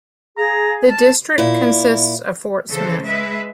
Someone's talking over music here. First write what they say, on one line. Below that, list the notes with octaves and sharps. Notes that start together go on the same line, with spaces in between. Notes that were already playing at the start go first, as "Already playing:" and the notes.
The district consists of Fort Smith.
G#4 F5 A#5
A5 F6
A#2 E4
C#3 E3 A4 C5
G#3 B4 E5